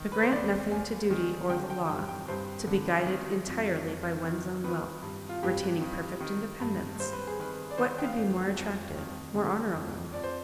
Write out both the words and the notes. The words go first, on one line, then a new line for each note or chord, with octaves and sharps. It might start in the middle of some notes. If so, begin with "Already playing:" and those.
To grant nothing to duty or the law, to be guided entirely by one's own will, retaining perfect independence--what could be more attractive, more honorable?
Already playing: D#3
B4
C5
D#2 D5
D#2 G#5
D#3
D3 G5
G5
G2 G5
G5
G2 C5
D3
D#3
F2
F2
D#3
D#3 B4
G2
F4
G2 G4
D#3
D#3
G2
G2 C5
B4
G#4
D#3 B4
D5
D#3 C5
G5
F5
F2
F2
D#3
D3
F2
F2 D5
C5